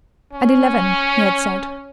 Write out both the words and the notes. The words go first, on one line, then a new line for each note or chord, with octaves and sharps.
'At eleven,' he had said.
C#4